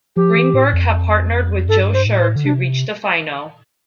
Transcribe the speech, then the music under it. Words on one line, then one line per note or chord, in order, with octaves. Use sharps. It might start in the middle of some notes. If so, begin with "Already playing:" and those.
Greenberg had partnered with Joe Scherr to reach the final.
F3 G4
E3
A2
F2
G2 A4
C5
A2
C5
D3
C3 D4